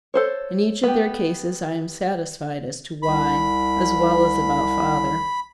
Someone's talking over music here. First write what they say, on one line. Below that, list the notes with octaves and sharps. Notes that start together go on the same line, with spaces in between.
In each of their cases I am satisfied as to 'why,' as well as about Father.
A4 C5 C#5
B3 G4
C2 B5